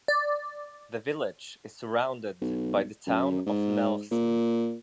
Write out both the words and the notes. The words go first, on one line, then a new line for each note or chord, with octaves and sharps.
The village is surrounded by the Town of Nelson.
D5
B1
F#2
G#2
A#2